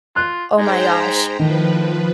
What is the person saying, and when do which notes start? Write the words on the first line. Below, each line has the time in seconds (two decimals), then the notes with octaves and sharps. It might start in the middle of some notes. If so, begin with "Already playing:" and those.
Oh my gosh.
0.16 F4 F#6
0.58 G#2 C5 G5 A#5
1.39 A2 D#3 F3 B4